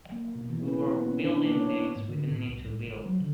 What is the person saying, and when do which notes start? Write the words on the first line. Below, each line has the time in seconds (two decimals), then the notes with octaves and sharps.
We were building things we didn't need to build.
0.12 A#3
0.35 B2
0.49 E3
0.68 B4
0.79 E4
0.94 B3
1.06 C#4
1.19 D4
1.32 D4
1.47 A#3
1.59 C#5
1.72 E4
1.96 G#2
2.09 D3
2.31 A2
2.48 C2
2.65 A2
2.84 G1
3.06 F#3
3.20 D3